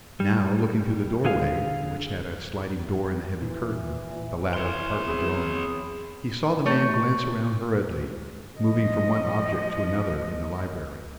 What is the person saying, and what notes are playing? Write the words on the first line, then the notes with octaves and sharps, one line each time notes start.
Now, looking through the doorway, which had a sliding door and a heavy curtain, the latter partly drawn, he saw the man glance around hurriedly, moving from one object to another in the library.
G3
D3 G#4 F5
A#2 E3
C#5 C6 F6
B3 C4 G#4
A3 C#5
F3 D#5